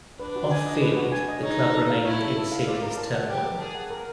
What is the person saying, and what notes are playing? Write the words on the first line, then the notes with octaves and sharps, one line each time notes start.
Off field, the club remained in serious turmoil.
D4 B4
F#4
G#5
D#5
B4
F#4
G#5
D#5
D#4 C#5
A4
A4
F5
E4 C#5
A4
A4
F5
F4 D5
A#4
A5
F#5
G4 D5
A#4
G#4 A5
F#5
A#4